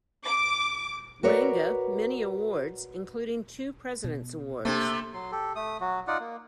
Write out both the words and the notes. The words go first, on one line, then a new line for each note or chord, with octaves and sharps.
Ranga many awards, including two President's Awards.
D6
F#4 A#4 B4 C#5 D5
B2
C3 A3 A#3 D4
F#3 C6
G4 A4
A3 D#6
F#3 F#4
D#4 F4 D5 F#5
A#3